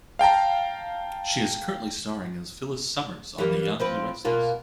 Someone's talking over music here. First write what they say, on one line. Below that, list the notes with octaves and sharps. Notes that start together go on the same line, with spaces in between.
She is currently starring as Phyllis Summers on "The Young and the Restless".
F5 G5 A5 A#5
E3 G3 A#3
F3 C4 B4
B2 A#3 F4